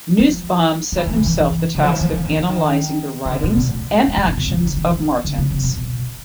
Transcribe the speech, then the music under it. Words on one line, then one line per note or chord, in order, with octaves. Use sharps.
Nussbaum set himself the task of analysing the 'writings and actions' of Martens.
F3
D#3
E3
D#3
C#3
E3
D3
F3
E3
F3
E3
D#3
D3
D#3
C#3
D3
B2
A2
G#2
A2
B2
C3
C#3
D#3
D3
D#3
D3
C#3
C3
B2